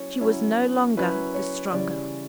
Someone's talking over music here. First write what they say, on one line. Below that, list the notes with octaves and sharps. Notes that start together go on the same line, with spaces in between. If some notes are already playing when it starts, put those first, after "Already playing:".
She was no longer the stronger.
Already playing: F#3 C#4 E4 C#5
F#3 C#4 E4
F#3 C#4 E4 B4
C#5
C#3 E3 G3 C#4 E4 D5